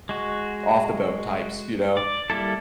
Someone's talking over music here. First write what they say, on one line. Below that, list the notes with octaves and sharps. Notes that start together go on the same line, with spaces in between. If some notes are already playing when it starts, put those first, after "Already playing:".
off the boat types, you know?
G#3 F#4
D5
G3 A#3 E4 A4